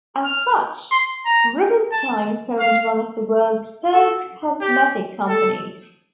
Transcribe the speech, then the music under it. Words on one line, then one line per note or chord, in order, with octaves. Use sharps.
As such, Rubinstein formed one of the world's first cosmetic companies.
F6
C6
A#5
A5
F5
A4
G4
A4